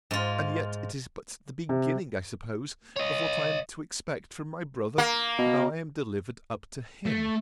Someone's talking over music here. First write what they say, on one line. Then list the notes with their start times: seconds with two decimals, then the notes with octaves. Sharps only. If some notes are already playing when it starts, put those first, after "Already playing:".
And yet it is but the beginning, I suppose, of what I am to expect from my brother, now I am delivered up to him.
0.11 G#2 F4
1.69 C3
2.96 C#5 D#5
4.98 A#3
5.38 B2
7.06 A3